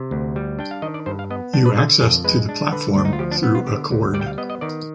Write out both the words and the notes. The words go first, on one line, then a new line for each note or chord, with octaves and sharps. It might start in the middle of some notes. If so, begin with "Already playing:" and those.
You access to the platform through a cord.
Already playing: C3
D2
G3
D4 G5
F5
D#3 D#5
D5
G2 C5
F5
B3 D#5
D4 G5
B4
D3 G#4
F2 G#4
G#3 B4
D4
D3 B4
D2 D4
D#4
F4
F3 G4
D4
B3
F4
D3 G4
D2
G3 D5
G5
F5
B3 D#5
D#5
D#3 D5